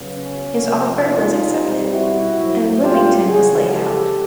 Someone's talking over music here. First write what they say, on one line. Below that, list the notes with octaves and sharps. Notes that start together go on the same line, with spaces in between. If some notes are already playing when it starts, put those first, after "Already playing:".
His offer was accepted, and Bloomington was laid out.
Already playing: C#3 F#3 B3
C#4
C3 F3 A#3
D#4 F4
B2 G3 C4
E4 F#4
A2 F#3 A3 C4
F4 G4
C#3 E3 G#3 F#4 G#4
G4 A4